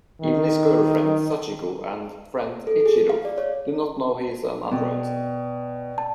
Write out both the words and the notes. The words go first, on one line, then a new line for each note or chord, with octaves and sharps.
Even his girlfriend Sachiko and friend Ichiro do not know he is an android.
D#3
A4
G#4
F5
D5
C#5
B2 D5 G5
A5